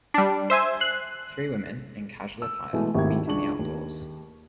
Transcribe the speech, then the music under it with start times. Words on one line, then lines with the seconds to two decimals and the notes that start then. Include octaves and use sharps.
Three women, in casual attire, meet in the outdoors.
0.14 G3 D4
0.50 C5 E5 G#5
0.81 F#6 C7
2.42 E6
2.73 B2 E3 G#3 A3
2.94 G#1 D#2 E4 G4 A#4 G#6
3.27 C#2 D4 C#6 F#7
3.59 D#2